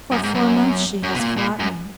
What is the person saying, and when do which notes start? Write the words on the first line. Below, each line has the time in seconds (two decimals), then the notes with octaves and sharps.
For four months she has fought me.
0.11 F#2
0.23 G#2
0.34 F#2
1.03 F#2
1.14 B2
1.20 A#2
1.37 A#2
1.59 F#2